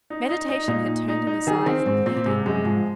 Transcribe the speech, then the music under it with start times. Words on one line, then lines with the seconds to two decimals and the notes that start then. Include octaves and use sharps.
Meditation had turned him aside from pleading.
0.10 D#4
0.29 D#4
0.49 D#4
0.68 A#2 D#4
0.88 D#4
1.08 D#4
1.27 D#4
1.47 D#3 G#4
1.66 D#3 C4
1.86 G#2 C4
2.06 A#2 C4
2.17 A#2
2.26 G#2 C3
2.46 F#2 G#3
2.64 G#2 F3